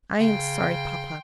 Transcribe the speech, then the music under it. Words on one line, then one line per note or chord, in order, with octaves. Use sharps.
'I am sorry, papa.
C#3 G5 C6